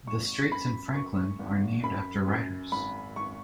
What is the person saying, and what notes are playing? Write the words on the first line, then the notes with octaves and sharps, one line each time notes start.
The streets in Franklin are named after writers.
G#1 C#6
F#2 B5
F#2 C#6
G#1
F#2 B5
F#2
G#1 B5
G#1 C#6